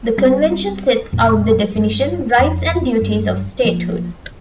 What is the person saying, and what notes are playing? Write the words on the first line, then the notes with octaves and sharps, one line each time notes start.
The convention sets out the definition, rights and duties of statehood.
G3 C4
F2 A#2
G2
F2
G2
F3 A#3